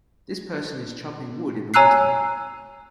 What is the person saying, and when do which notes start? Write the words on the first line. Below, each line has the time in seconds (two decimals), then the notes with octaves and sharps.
This person is chopping wood in the winter.
1.74 C#5 G#5 A#5 E6 F#6 C7